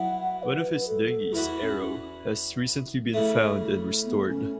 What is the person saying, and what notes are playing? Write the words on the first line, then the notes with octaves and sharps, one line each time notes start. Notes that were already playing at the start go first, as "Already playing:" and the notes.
One of his dinghies, "Aero", has recently been found and restored.
Already playing: B2 F#3 B3 E4 F#5
B4
A4
E2 E3 B3 E4 F#4
C#4
C#3 E3 A3
B3
C#4